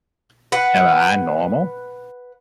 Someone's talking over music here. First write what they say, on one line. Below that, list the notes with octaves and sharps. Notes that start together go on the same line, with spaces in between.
Am I Normal?
B4 F#5